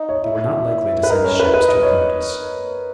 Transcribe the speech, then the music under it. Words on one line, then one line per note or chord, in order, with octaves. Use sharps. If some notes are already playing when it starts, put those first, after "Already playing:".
They were not likely to send ships to Atlantis.
Already playing: D#4
C#5
E4
B4
D#4 A#4
C#4 A#4
C#4 B4
E4
D#4 B4
D#5
C#5